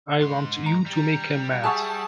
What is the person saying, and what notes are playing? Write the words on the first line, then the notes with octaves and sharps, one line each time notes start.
I want you to make him mad.
G#2 C6
A#5
G3
G#4 E5 F#5 G#5 A5 C#6